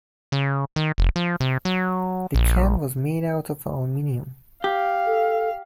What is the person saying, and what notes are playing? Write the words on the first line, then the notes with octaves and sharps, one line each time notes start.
The can was made out of aluminium.
C#3
D#3
F1
F3
C3
F#3
A#1
G4 F5
A4